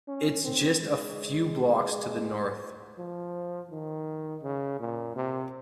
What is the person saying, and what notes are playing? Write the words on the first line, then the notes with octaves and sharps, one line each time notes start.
It’s just a few blocks to the North.
C#4
C4
G#3
F3
D#3
C#3
A#2
C3